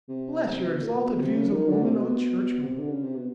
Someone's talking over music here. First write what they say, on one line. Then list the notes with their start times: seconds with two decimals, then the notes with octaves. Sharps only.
Bless your exalted views of woman, O churchman!
0.09 C3
0.73 B2
0.81 A2
0.89 A#2
1.05 B2
1.20 C3
1.36 C#3
1.52 D#3
1.69 D3
1.84 C3
2.00 B2
2.64 C3
2.80 D3
2.92 C#3
3.04 C3
3.16 B2